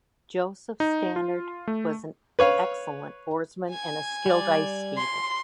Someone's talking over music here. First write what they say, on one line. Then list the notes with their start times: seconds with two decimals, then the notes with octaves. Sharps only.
Joseph Stannard was an excellent oarsman and a skilled ice-skater.
0.80 D#4
1.16 F4
1.67 A3
2.39 B4 C#5 F5
3.70 G#5 G#6
4.26 G3 D5
4.97 C6